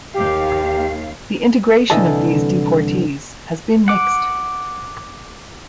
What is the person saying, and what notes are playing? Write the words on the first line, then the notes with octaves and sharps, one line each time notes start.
The integration of these deportees has been mixed.
D#2 G4 F5
C2 D3 E3 A4 D#5 A5
F#5 D6